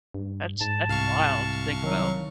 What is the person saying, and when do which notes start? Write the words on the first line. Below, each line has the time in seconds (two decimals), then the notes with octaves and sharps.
That's that's wild to think about.
0.14 G2
0.61 G#2 A5
0.88 C2 F5 C#6
1.83 D#3 F#3